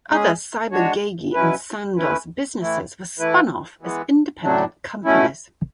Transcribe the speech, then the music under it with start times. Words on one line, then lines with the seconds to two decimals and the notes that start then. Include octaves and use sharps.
Other Ciba-Geigy and Sandoz businesses were spun off as independent companies.
0.11 G#3 C#4 G#4
0.71 G#3 D4 F#4 C#5
1.33 B2 F#3 C#4 E4 B4
1.96 A3 C#4 E4 B4
2.58 A2 E3 A3 E4
3.18 E3 A3 E4 B4
3.81 E3 G#3 B3
4.42 A2 F#3 A3 D4
5.04 B2 A3 C#4 E4